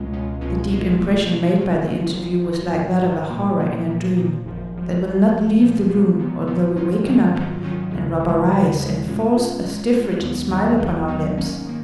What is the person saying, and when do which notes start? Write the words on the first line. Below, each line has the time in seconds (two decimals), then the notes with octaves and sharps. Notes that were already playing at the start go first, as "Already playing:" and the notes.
The deep impression made by the interview, was like that of a horror in a dream; that will not leave the room although we waken up, and rub our eyes, and force a stiff rigid smile upon our lips.
Already playing: C#2 B2 G#3 C#4 F4
0.13 C#2 B2 G#3 C#4 F4
0.41 C#2 B2 G#3 C#4 F4
0.70 C#2 B2 G#3 C#4 F4
0.99 B2 F#3 A#3 C#4 F4
1.28 B2 F#3 A#3 C#4 F4
1.57 B2 F#3 A#3 C#4 F4
1.86 B2 F#3 A#3 C#4 F4
2.15 G#1 G#2 F3
2.44 G#1 G#2 F3
2.72 G#1 G#2 F3
3.02 G#1 G#2 F3
3.30 A#2 F3 A#3
3.59 A#2 F3 A#3
3.88 A#2 F3 A#3
4.16 A#2 F3 A#3
4.46 G#1 F#2 F3
4.74 G#1 F#2 F3
5.03 G#1 F#2 F3
5.32 G#1 F#2 F3
5.60 A#2 F3 B3
5.90 A#2 F3 B3
6.19 A#2 F3 B3
6.47 A#2 F3 B3
6.76 G#2 D#3 F#3 C#4 F4
7.05 G#2 D#3 F#3 C#4 F4
7.33 G#2 D#3 F#3 C#4 F4
7.62 G#2 D#3 F#3 C#4 F4
7.91 D#2 C#3 G#3
8.20 D#2 C#3 G#3
8.49 D#2 C#3 G#3
8.78 D#2 C#3 G#3
9.07 A#2 G#3 C#4 F4
9.35 A#2 G#3 C#4 F4
9.64 A#2 G#3 C#4 F4
9.93 A#2 G#3 C#4 F4
10.22 D#2 D#3 F#3 B3 D#4
10.50 D#2 D#3 F#3 B3 D#4
10.79 D#2 D#3 F#3 B3 D#4
11.08 D#2 D#3 F#3 B3 D#4
11.37 G#2 D#3 A#3 C#4
11.67 D#3 A#3